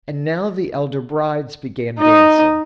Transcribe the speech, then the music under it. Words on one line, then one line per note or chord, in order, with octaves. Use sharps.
And now the elder brides began dancing.
D#4 D#5